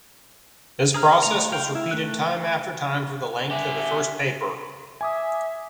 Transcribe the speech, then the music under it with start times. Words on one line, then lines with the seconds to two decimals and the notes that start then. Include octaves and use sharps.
This process was repeated time after time for the length of the first paper.
0.94 G#4 A#5 F6
1.23 A3 A#5
1.52 F5 G5
1.75 E4
1.91 A3 F#6
3.51 D3 G4 E5 G#5
5.01 E5 G#5 D6 D#6